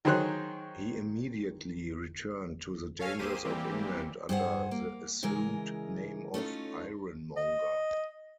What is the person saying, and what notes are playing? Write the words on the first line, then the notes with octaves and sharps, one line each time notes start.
He immediately returned to the dangers of England under the assumed name of Ironmonger.
D#3 F#3 G#4 C5 C#5 F#6
A4 C#5 F5 G#5 F6
D#2 A#3 G4 G#4 C5 D#7
E3 G3 A#3 C4 G4
G2 G#4 C5 F#5
A#3
C#3 E3 G#3 A#4
A3 C#4 D#4 F4
D#5